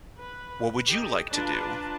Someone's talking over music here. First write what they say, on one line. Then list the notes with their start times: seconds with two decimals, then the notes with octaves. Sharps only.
What would you like to do?
0.18 B4
0.89 G4 A4 D#5
1.32 D4 F4 B4 A5 A#5